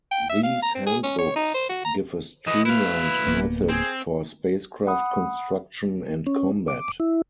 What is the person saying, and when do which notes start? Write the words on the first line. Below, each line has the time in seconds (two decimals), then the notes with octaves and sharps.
These handbooks give a streamlined method for spacecraft construction and combat.
0.11 G5
0.29 E5
0.43 F5
0.62 A#5
0.75 C4
0.87 G#4
1.03 C#4
1.18 C#5
1.36 D#4
1.54 C5
1.69 F#4
1.85 A#5
2.47 E3 B3 D#5
2.65 E4 B4 F5
3.27 D1 A#3 B3
3.69 C4 G#4
4.87 F#5 B5 D#6
6.27 C#4
6.68 D6
7.00 E4